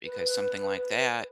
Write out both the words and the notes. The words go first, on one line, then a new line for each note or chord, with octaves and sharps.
because something like that.
B4